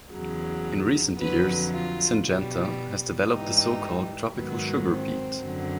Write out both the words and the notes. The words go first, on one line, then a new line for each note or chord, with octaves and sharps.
In recent years, Syngenta has developed the so-called tropical sugar beet.
E2 C#3 F#3
F2 D3 F#3 B4
F4
B2 G3
G#2 E3 G3 D#4
G#2 D#3 F#3 B3
C4
F#2 D3 F#3